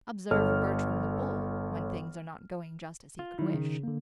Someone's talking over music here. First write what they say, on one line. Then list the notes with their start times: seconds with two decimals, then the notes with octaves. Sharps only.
Observe Bertram the Bull when things are not going just as he could wish.
0.31 G1 A4 C#5 F6
3.19 F4
3.39 D#3 F#3 D#4 E4
3.54 C#3
3.83 D3 A#3